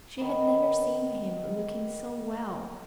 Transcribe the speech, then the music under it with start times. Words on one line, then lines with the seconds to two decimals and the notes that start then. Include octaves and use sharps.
She had never seen him looking so well.
0.18 D#3 B3